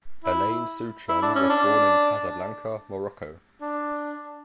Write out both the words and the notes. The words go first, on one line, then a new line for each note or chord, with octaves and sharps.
Alain Souchon was born in Casablanca, Morocco.
E4
E4
D4
C#4
D4
D4